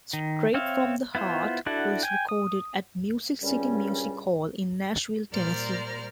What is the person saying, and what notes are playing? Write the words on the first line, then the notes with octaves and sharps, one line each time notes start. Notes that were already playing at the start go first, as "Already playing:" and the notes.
"Strait from the Heart" was recorded at Music City Music Hall in Nashville, Tennessee.
D#3
C4 C#5 E5 F5
B3 E4 F4 C5
D4 E4 F#4 A4 F#5
G5 G#5
D#6
G2 A#2 C#3 G3 C#4
A#2 G3 A#4 C5 D5 F6